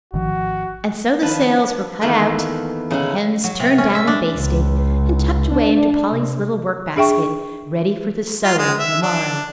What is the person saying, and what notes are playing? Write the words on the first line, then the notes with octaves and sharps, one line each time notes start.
And so the sails were cut out, and the hems turned down and basted, and tucked away into Polly's little work-basket ready for the sewing on the morrow.
G#1 D#3 F3 F#4
D#3 F3 B4 A5
D4
E2 D#3 A3 A#3 B4 G5
C#3 D#4 E4 G#4 F#5
F#3
C3
C#4
E5
D4
C#2
D4
C3
D4 G#4 E5 G5 C#6
F4
G#3
E5
D4